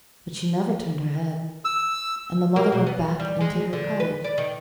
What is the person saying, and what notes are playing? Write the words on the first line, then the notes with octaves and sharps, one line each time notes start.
But she never turned her head; and the mother went back into her cottage.
E6
A#3
B2
B3
G3
G#3
D3
B4
D5
D#3